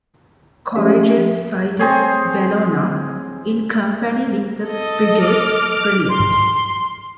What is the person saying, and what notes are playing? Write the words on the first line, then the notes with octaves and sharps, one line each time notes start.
"Courageux" sighted "Bellona" in company with the frigate "Brilliant".
F3 A3 C#4 G4 E5
C4 G#4 C#5
A4 D#5
D6 F6
C6